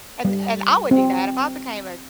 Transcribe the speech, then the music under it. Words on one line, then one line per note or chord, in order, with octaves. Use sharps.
And and I would do that if I became a
G3
C4